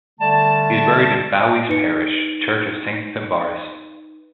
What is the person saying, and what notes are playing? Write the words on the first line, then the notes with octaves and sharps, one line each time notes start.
He is buried in Fowey's parish church of Saint Fimbarrus.
D3 G3 A3 A5
D#4 B4 C#7